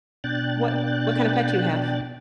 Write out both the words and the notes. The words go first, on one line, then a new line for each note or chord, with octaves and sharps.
what what kinda pet do you have,
B2 D4 G5 F#6 A6